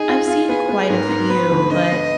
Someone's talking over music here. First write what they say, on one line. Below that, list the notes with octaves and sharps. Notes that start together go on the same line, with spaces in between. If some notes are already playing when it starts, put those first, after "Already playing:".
I've seen quite a few, but,
Already playing: D#4 G#4
F4
F4
B3 G#4
B3
G#2 A#4
G#2
B3 B4
D2
D3 D#5
B3